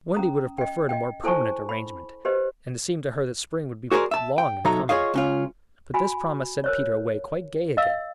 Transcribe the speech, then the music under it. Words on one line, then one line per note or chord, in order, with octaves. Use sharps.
Wendy would have preferred a more permanent arrangement; and it seemed to her that spring would be long in coming; but this promise sent Peter away quite gay again.
C#4 A#5 D#6
D#5 G5
D#5 G5
E4 A4 C5 G#5 A5 C#6
B5
G4 B4 C5 D#5
F#4 G#4 A#4 C5 D5
E5 A5
G5
B1 F#3 D#4 A4 E5 A#5
F4 G4 G#4 C#5 D#5 F5
C#2 C#4 F4
F#4 G#5 B5
A#4 C5 C#5
D#5 F5 E6